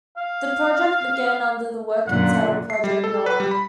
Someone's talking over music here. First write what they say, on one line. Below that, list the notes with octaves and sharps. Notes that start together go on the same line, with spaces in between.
The project began under the working title "Project Noah".
F5
F#2 A#2 D3 F#5
C7
G3
A4
B4
G3
B5